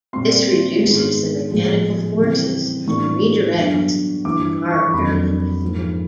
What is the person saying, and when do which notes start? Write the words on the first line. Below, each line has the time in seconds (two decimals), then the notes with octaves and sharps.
This reduces the mechanical forces and redirects the car parallel to the wall.
0.13 A#2 G3 C4 C6
0.82 G#2 D#3 G#3 B3
1.51 A2 F3 G#3 B3
2.19 C#3 E3 G3 C4
2.87 A2 E3 G3 B3 D4 C#6
3.56 G2 D3 F#3 B3
4.25 G2 E3 G3 D6
4.71 C#6
4.94 F2 D3 F#3 A#3 B5
5.61 G#2 F3 A#3